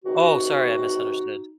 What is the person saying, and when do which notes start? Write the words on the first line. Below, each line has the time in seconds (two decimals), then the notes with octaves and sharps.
Oh, sorry, I misunderstood,
0.04 C#2 C3 D#3 D#4 F#4